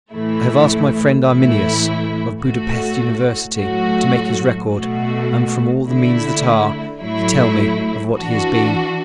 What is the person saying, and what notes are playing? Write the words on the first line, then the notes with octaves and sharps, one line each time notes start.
I have asked my friend Arminius, of Buda-Pesth University, to make his record; and, from all the means that are, he tell me of what he has been.
A2 E3 A3 E4
A2 E3 A3 E4
A2 A3 F#4
A2 F#3 A3 F#4
B2 A3 F#4
D3 A3 E4
A2 F#3 A3 E4
E3 D4 F#4